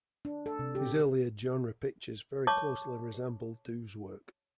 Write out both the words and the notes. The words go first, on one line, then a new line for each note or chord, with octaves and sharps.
His earlier genre pictures very closely resemble Dou's work.
D4
A4
C3
G4
C#5 A5 C#6 D6